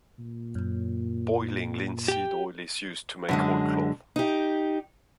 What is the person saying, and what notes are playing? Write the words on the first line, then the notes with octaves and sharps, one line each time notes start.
Boiling linseed oil is used to make oilcloth.
A#2
F#2
G4 G5
F#2 D3 G#3
D#4 G4